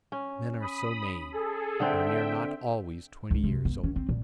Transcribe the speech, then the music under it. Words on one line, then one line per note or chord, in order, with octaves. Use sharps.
Men are so made; and we are not always twenty years old.
C#4
B5 D#6
G#4 A4
D3 C4 E5 G5
C#2
C3
B3
C#4
C4
A#2